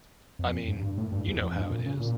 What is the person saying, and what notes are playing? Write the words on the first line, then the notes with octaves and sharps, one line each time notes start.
I mean, you know how it is.
F2
G2
G2
A2
G2
E2
F2
G2
A#2
C#3
A#2